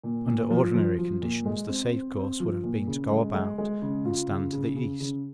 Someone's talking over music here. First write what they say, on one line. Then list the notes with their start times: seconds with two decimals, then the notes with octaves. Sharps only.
Under ordinary conditions the safe course would have been to go about and stand to the east.
0.03 A#2
0.27 A#2
0.50 F3
0.74 F3
0.98 F3
1.22 A#2
1.46 G#3
1.69 C4
1.92 C4
2.16 C4
2.40 F3
2.63 A#2
2.87 C#3
3.10 G#3
3.34 G#3
3.58 G#3
3.82 C#3
4.05 F4
4.29 C#3
4.52 C#3
4.76 C#3
5.00 C#3